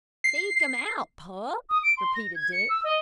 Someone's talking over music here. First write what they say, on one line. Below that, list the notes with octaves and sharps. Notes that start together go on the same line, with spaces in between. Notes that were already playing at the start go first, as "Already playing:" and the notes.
"Seek him out, pup!" repeated Dick.
C7
D#6
D7
C6
A#6
G#6
C#7
E6
D#5